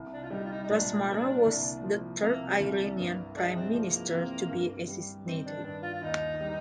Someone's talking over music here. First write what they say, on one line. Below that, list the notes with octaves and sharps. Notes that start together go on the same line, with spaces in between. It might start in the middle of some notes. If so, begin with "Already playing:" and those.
Razmara was the third Iranian prime minister to be assassinated.
Already playing: C2
D4
F4
G3 D#4
F4
D#4
D#4
A#2 D4
A#3
C2
F3
C3 A#3
G3
C2
G3
G2 A#3
G#3 D4
C4
F3 A#3
C4
G2
G3
D#3 C4
D4
G2 D4
F4
F4
D#2 D#4
G3